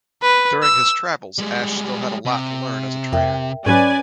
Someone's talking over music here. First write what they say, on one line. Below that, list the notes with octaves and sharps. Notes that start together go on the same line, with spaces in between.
During his travels, Ash still had a lot to learn as a trainer.
B4
E6
G3 G#3
C3
F2 A#4 E5 G5
G#2 F#3 C#4 B4 C#5 D5 G#5